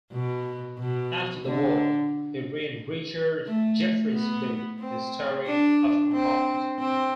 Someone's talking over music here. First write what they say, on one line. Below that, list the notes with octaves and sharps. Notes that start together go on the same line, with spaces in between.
After the war, he read Richard Jefferies' book "The Story of My Heart".
B2
B2
D3
A3
B3
C4
D4
C4
C4